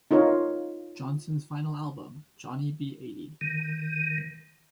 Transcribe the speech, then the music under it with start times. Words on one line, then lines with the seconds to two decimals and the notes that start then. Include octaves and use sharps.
Johnson's final album, Johnnie Be Eighty.
0.11 D#4 F4 A#4 C#5
3.41 D#3